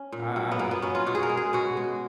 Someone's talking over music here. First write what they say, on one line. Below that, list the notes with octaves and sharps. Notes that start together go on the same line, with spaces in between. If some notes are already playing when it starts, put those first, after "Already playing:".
I I don't know, I don't know, I don't know.
Already playing: C#4
A#2
F#3
B3
A#2 A#3
B3
F#3 C#4
F4
B2 F#4
G#4
A#4
G#3
G#4
B2 F#4
G#3